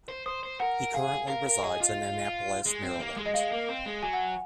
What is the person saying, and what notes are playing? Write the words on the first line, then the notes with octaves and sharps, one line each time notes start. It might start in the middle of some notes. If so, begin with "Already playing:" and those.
He currently resides in Annapolis, Maryland.
C5
C5 D#6
C5
A#4 F#5
G#4 F5
A#4 F5
A#4
G#4 D#5
F4
G#3
C4
A#3
G#3
D#5
G#3 F5
A#3
C4
G#3
F#3 G#5
F#5
G#5